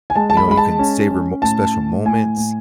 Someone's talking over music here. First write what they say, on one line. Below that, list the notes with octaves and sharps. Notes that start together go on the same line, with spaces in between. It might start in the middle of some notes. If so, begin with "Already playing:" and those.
you know, you can savor mo special moments
G#5
G#3 A5
A5
B5
G#3 B5
A5
C#4
C#4
A2 A5
A2
A2 G#5
A2